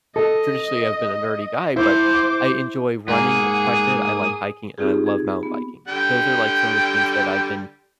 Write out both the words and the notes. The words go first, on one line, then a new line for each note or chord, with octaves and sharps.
Traditionally, I've been a nerdy guy, but I enjoy running quite a bit, I like hiking, and I love mountain biking. Those are, like, some of the things that I've been,
A4 D#5
E4 C5 D6
G#2 A#3 G#4 F#5 D#6
C4 D#4 F4 G4 G#4
G#6
B3
D3 G3 G5